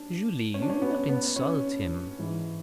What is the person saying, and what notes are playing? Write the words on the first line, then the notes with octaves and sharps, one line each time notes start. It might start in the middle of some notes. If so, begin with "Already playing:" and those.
"Julie--you need not insult him."
Already playing: D4
C#4
D4
C#4
B3
B3
C#4
G#2 E3